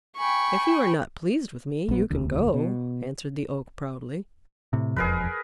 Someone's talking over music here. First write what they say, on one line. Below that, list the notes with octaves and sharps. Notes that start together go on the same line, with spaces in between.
"If you are not pleased with me, you can go," answered the Oak proudly.
G5 G#5 B5 C#6
A#1 B3
E1 D2
B2
A2 C3
E1 F2 G#4 A#4 B4